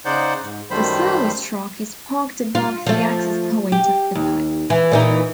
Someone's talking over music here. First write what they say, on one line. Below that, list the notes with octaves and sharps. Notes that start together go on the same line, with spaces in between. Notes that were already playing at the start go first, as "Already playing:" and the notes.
The service truck is parked above the access point of the pipe.
C#3 D#4 C5 D5 F#5 G6
G#2
F#2 D#3 G3 A3 C5 B5
F4
F3 A3
G4
D#2
E3
A#2 E3 D#4